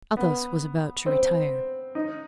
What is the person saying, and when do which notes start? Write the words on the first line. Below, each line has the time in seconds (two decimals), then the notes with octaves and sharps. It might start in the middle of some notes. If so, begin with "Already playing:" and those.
Athos was about to retire.
0.17 B3
1.06 C4
1.95 D#4